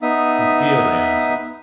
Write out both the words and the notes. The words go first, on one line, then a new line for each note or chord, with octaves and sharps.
"He's here," they answered.
B3 D#4 E5 D#6